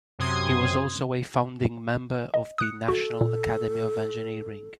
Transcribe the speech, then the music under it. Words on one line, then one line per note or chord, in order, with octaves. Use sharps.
He was also a founding member of the National Academy of Engineering.
F#2 C3 C6 D#6 G#6
D#5
D#6 F#6 C#7
F#4 A4
A#2